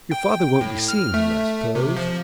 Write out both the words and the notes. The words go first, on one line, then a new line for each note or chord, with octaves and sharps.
'Your father won't be seeing him, I suppose?'
G5
A2
F6
A3
C3
F3